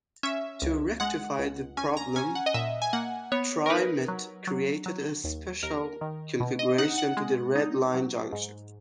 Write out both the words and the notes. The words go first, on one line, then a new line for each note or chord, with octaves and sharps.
To rectify the problem, TriMet created a special configuration to the Red Line junction.
C#4 E5
C#2
G#3 F#5
C#2
C#4 G#5
A#5
C#4 G#5
F#5
D#5
A#2 E5
G#5
A#3 F#5
B3 C#5
A#4
D#4 B4
F#3
F#3
F#3
D#2
D#2 A#4
D#3
B2
D#5
D#4 F#5
F#5
G#3
D#4
F#3
G#2